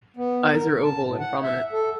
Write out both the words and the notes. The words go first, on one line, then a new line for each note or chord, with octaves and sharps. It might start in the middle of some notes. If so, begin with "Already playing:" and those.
Eyes are oval and prominent.
B3
A#4
A5
A2
F#5
E5
A4